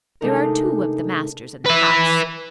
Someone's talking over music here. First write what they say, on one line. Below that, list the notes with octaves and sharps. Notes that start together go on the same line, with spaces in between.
There are two of the masters in the House.
C3 G#3 A3 D4 D#4 A#4
B4 E5